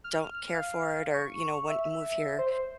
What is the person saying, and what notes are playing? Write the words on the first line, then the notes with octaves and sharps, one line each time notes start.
don't care for it or, you know, wouldn't move here
F6
F5
C#6
E5
C5